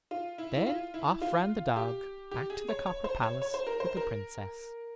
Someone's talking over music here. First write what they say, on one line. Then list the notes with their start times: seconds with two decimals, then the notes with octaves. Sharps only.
Then off ran the dog, back to the copper palace with the Princess.
0.11 F4
0.38 E4
0.56 E4
0.66 F4
0.94 E4
1.22 F4
1.76 G4
2.31 G4
2.50 G#4
2.69 C#5
2.86 C#5
3.04 C5
3.23 C#5
3.42 C#5
3.54 C5
3.67 A#4
3.80 C5
3.97 A#4